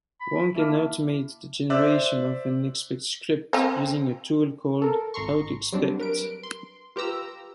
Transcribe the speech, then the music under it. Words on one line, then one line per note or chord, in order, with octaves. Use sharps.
One can automate the generation of an expect script using a tool called 'autoexpect'.
B5
A#3 E4 A5 F6
C5 D5 E5 E6 F#6
C4 C5
A4 A#4
G#1 A#5 C6 C#6
F#3 G3 C4 D4
A#4 B4 D7
C6
F4 G4 B4 A#5 E6